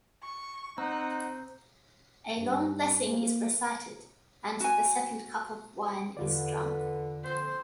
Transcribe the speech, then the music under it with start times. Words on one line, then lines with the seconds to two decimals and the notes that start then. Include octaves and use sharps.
A long blessing is recited, and the second cup of wine is drunk.
0.23 C#6
0.78 C4 D#4 C5 F#5 A#5
2.39 G2
3.08 A#3
4.60 F#4 G#5
6.17 E2 D3 F4 B4 D5
7.24 F2 A#2 C4 C5